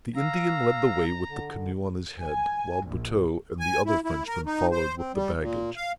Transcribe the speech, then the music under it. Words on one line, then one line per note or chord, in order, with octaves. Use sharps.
The Indian led the way with the canoe on his head, while Buteux and the other Frenchman followed with the baggage.
F5 A#5 E6
D3
G#5
A#1
G#5
E4
E4
A#4
D#4
C5
C4
G3
A#2
F5